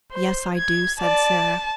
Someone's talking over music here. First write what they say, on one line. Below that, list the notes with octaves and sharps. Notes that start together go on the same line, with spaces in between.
"Yes, I do," said Sara.
C5
G#6
D5 A5